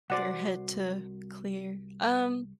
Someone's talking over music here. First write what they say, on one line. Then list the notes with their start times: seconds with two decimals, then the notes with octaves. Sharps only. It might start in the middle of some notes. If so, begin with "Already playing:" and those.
your head to clear. Um
0.10 C2 F#4 C5 D5 F#5